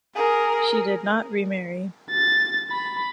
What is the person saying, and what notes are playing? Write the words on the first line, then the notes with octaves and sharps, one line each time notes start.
She did not remarry.
G#4 A#4
A6
B5